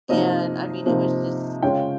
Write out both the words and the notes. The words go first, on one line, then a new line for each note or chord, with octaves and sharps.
and I mean, it was just
C3 F3 A#3 D#4 D#5
C3 F3 A#3 D#4
C#3 G#3 C#4 F4 G5